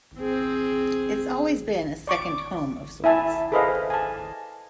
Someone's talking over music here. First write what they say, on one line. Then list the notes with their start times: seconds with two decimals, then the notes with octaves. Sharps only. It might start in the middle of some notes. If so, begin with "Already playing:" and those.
It's always been a second home of sorts.
0.20 C4 G#4
2.07 D5 C#6 D6
3.04 E4 E5 G#5 A5
3.52 G#4 A4 B4 C5 D#5 F5
3.90 G#5 A5